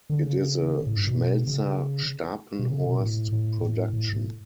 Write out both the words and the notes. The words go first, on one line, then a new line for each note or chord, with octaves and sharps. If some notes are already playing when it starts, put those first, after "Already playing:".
It is a Schmelzer-Stapenhorst production.
D3
C#3
A2
G2
B2
C#3
B2
C#3
B2
A2
A2
A2
A2
A2